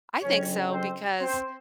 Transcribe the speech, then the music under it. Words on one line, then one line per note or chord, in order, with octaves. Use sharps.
I think so because
G1 F2 C#3 F#3 C#4 C#5
C4 C5
C4 C5